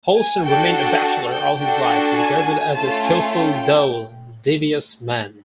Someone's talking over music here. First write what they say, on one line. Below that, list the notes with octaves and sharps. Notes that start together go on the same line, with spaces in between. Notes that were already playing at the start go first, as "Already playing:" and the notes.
Holstein remained a bachelor all his life, regarded as a skillful though devious man.
G#5
D4 F#4 A4 G5
G5
G5
D4 F#4 A4 G5
G#5
A3 C#4 F4 A4 A5
G#5
G5